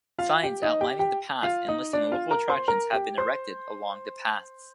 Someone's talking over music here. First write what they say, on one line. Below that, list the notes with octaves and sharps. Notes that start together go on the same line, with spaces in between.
Signs outlining the path and listing local attractions have been erected along the paths.
F4 F5
G4 G5
D#4 D#5
G4 G5
G4 G5
F4 F5
D#4 D#5
D4 D5
F4 F5
A#4 A#5
C5 C6
A#4 A#5
G4 G5
C5 C6